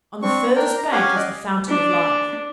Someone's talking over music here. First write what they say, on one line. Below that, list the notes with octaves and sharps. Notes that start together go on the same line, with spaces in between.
On the furthest bank is the fountain of life.'
C4 D4 C#6
D4 A#4 G5
A#5
C#4 G4 F5 F#5 G#5
D5 D#5
D4